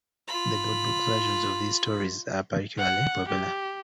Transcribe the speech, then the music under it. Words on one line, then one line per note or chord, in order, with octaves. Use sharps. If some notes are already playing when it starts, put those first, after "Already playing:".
The board book versions of these stories are particularly popular.
F4 B5
F#5
G4